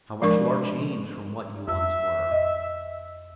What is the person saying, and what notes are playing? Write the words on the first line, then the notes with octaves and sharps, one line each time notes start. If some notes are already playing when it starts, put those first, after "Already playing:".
How much you are changed from what you once were!
F3 G#3 D4 A#4 C#6
F2 E5 E6
D#5